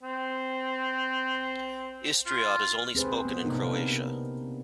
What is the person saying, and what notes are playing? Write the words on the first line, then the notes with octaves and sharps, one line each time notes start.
Istriot is only spoken in Croatia.
C4
F4
C4 G#4 B4 C5
B3
C3 A#3 B3 D4 D#4 A#4